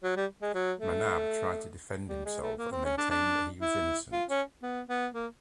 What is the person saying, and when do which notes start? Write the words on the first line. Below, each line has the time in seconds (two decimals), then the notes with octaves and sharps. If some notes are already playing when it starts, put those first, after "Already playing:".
Manav tried to defend himself and maintained that he was innocent.
0.03 F#3
0.16 G3
0.42 G#3
0.54 F#3
0.80 A3
2.08 G3
2.25 G#3
2.42 A3
2.59 A#3
2.72 C4
2.85 C#4
2.98 D4
3.10 D4
3.61 E4
4.12 F4
4.30 C#4
4.63 B3
4.89 B3
5.14 A#3